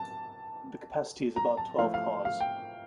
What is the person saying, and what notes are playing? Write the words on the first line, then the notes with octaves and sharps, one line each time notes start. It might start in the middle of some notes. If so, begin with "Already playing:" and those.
The capacity is about twelve cars.
Already playing: A5
A#5
A5
F3 A3 E4 F5
F5
F5
G5